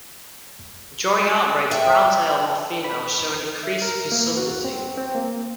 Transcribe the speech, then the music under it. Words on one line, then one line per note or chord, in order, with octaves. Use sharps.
During outbreaks browntail moth females show an increased fecundity.
E5 G5
B5
E5
A#4
A#3
F#4
C4
C4
A#3